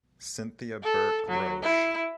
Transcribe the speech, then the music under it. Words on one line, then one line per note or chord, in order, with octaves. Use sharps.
Cynthia Burke Roche.
A4
F#3
E4